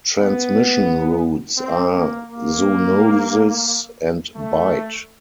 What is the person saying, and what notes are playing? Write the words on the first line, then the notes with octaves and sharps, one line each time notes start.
Transmission routes are zoonosis and bite.
B3
C4
A#3
A#3
A3